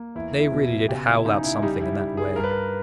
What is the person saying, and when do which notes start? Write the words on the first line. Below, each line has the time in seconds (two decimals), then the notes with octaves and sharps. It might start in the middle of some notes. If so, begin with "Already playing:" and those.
They really did howl out something in that way.
Already playing: A#3
0.15 E2 E4
0.40 E4
0.52 B2
0.65 E4
0.89 C#3 G4
1.08 E4
1.25 C#3 D#4
1.44 E4
1.62 G3 D#4
1.81 E4
1.99 G3
2.17 G#4
2.36 G2 A#4
2.44 B4
2.51 A#4